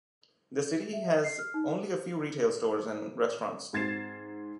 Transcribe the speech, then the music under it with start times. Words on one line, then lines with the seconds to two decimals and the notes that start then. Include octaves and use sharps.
The city has only a few retail stores and restaurants.
0.93 E5
1.08 D#5
1.24 C7
1.39 F6
1.54 D#4
3.73 G#2 C4 G#6 A6 C7 E7